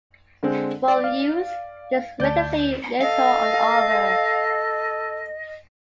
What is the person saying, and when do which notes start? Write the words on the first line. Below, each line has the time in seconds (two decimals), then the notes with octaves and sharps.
For youths, there is relatively little on offer.
0.43 D3 G#3 C4
0.88 D5
1.04 F5
2.20 D2 D5 A5 G6
3.01 A4 D#5 F5